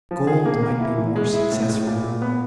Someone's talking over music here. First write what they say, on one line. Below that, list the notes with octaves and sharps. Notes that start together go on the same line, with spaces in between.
Gold might be more successful.
F3
G#4
A#3
A#3
E4
E3
G#3
E4
A2
A2
A#2
A#2
B3